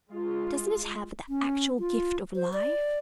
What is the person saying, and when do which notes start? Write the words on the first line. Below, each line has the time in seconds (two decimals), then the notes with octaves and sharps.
Doesn't it have the actual gift of life?
0.11 G#3 F4
1.29 C#4
1.80 F4
2.36 C5
2.53 D5